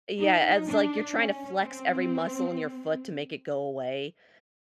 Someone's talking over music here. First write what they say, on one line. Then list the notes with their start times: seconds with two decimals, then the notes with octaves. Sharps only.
Yeah, and it's like you're trying to flex every muscle in your foot to make it go away. Uh,
0.19 D#4
0.68 D4
1.15 C#4
1.63 C4